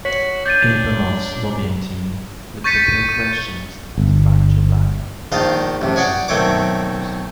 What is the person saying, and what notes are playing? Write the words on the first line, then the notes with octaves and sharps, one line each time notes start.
Abramoff's lobbying team would prepare questions and "factual backup" for friendly lawmakers.
F#4 C#5 B6
D4 G6 A6 D#7
C#6 G6 A6 B6 C#7 D#7
G1
A#1 D#3 C5 F5 A5 D#6
A1 C3
G#4 C#5 D5 F#5 G5
B1 D#3 A3 C4 C#5 D6